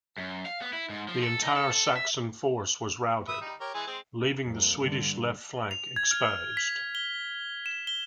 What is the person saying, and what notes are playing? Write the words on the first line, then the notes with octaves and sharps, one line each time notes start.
The entire Saxon force was routed, leaving the Swedish left flank exposed.
F#2
F5
B3
E4
G#2
F3
A4
D#4
A4
A4
E5
E5 B5 D#6
G3 D#4
G4 A#4 C#5
E3 G#3 G#5
G#3 C4
F2 G3 A#3
G2 D3
F7
G#6
F6
B6
G7
E7
G7